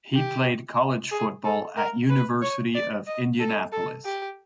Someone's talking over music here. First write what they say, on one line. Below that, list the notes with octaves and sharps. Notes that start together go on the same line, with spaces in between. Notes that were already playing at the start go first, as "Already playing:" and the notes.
He played college football at University of Indianapolis.
G4
G#4
A4
A#4
B4
C#5
D5
D#5
A4
A4
G4